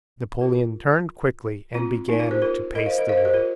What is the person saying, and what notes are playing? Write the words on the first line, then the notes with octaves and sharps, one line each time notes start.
Napoleon turned quickly and began to pace the room.
F4 A#4
C4 F4
A#3 D#4
F4 A#4
G4 C5
F4 A#4
A#4 D#5
C5 F5
A#4 D#5
C5 F5
A#4 D#5
G4 C5
F4 A#4